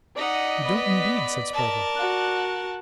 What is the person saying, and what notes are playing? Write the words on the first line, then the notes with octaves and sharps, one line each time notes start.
"You don't, indeed!" said Spargo.
D#4 D5 D#5 F#5 B6
B3 B4
A#4 A5
F#4 F#6